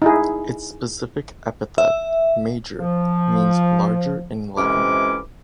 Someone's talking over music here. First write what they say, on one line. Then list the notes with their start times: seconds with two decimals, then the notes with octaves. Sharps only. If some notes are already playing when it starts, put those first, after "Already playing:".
Its specific epithet "major" means "larger" in Latin.
0.02 D#4 E4 G#4
1.78 E5
2.80 F3
4.57 F2 C3 E3 G#3 C#4 D6